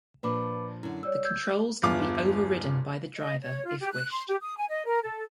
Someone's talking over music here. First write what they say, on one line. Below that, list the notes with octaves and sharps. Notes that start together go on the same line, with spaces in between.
The controls can be overridden by the driver if wished.
A#2 F3 D4 B4 B5 D6
F#2 D3 E4
G3 C#5 D5 E6
E6 G6 G#6
G1 E2 F4 D6
D#5
C#5
F4
G4
F#6
C6
G4
D#6
G#5
D#5
A#4
A4